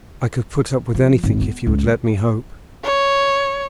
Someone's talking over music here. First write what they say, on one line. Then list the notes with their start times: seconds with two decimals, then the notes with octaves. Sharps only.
I could put up with anything if you would let me hope.
0.95 F3
1.23 G#1
1.41 B3
1.67 C#2
2.84 C#5